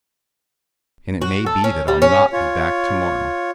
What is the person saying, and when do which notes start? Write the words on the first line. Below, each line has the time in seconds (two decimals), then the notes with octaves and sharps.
"And it may be that I'll not be back to-morrow."
1.21 F#4
1.46 A4
1.64 C#4
1.88 G3
2.02 C#4
2.32 F4 C#5